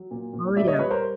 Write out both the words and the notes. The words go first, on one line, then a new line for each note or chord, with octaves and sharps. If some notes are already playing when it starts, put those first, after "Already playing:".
Oh, yeah.
Already playing: F#3
A#2
A#2
G3 D5 E5
C#5 D#5
G3 B4 C#5
A#4 C5